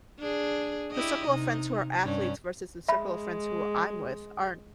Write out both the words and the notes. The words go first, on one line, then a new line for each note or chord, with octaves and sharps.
the circle of friends who are athletes versus the circle of friends who I'm with aren't
D4 G#4
E4 G4 D#5
C3 D#4
G2 C#4
G#3 E5 B5